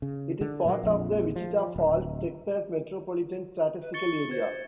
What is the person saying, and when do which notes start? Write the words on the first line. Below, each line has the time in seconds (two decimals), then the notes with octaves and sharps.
It is part of the Wichita Falls, Texas Metropolitan Statistical Area.
0.02 C#3
0.41 D3
0.65 A#2 F#3 A#3
0.83 A#1 F2
1.36 F3
1.76 D1
3.82 B4
3.94 C#6 A6 C#7 G7
4.31 C5 G#6